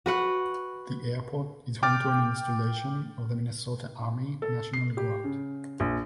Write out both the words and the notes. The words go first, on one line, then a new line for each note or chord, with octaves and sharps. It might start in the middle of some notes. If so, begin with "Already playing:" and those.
The airport is home to an installation of the Minnesota Army National Guard.
F#4 B4 F#5
G5 D6 F6 A6
A4
C7
G4
C#3
A#1